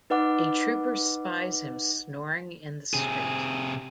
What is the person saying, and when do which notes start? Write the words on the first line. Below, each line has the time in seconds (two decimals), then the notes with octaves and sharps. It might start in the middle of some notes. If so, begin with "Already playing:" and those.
A trooper spies him snoring in the street.
0.10 D#4 B4 D#5 F#5 D6
2.94 C3 G#4